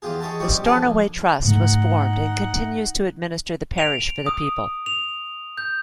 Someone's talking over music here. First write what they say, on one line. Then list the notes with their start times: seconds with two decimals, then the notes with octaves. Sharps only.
The Stornoway Trust was formed and continues to administer the parish for the people.
0.02 E2 F4 G4 G#4
0.21 G#4 C#5 D#5 E5 G5 A5
0.39 A#1 G3 C4 G4 D#5 C#6
0.64 F2 C4 D4 A4 G#5
0.83 A#1
1.45 G#2 C#3 A3 D#4 F#5
3.78 D7 F7
4.26 D#6
4.86 F7
5.57 G6